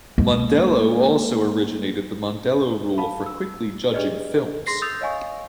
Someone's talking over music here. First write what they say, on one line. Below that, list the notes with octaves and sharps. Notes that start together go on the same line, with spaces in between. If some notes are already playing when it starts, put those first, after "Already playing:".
Mondello also originated the Mondello Rule for Quickly Judging Films.
G#3 A#3
F5 A5 B5
E6
D4 G4 G#4 B4 D5 D#5
G#4 C6 A#6 C7
D#6 E6 G6 A6 F7
C#5 D#5 F5 G#5 C#6